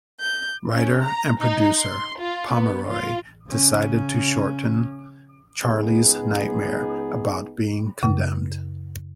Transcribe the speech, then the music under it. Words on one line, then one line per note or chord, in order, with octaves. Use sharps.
Writer and producer Pomeroy decided to shorten Charlie's nightmare about being condemned.
G6
C#4
A#5
D#4
C6
F4
B3
F4
C#3 C#4
C#2 B3 D#4 G#4
F#2 C#3